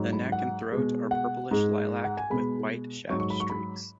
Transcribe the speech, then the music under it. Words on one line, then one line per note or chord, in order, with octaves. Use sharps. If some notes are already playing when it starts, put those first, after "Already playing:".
The neck and throat are purplish lilac with white shaft streaks.
Already playing: G#2 F#3
B5
F#5
B2 G#3
F#5
G#2 G#3
F#5
G#5
B2 G#3 B5
G#2 F#3 C#6
C#6
B5
C#6
B5